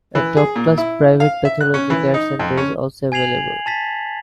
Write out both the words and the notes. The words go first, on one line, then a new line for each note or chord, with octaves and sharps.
A top class private pathology care center is also available.
E3
G#4
A#2
E4
F5
E5
F#6
C#4
E3
D#4
F2
C#4
G#5 G#6 C7 F7 F#7
A5 A6 B6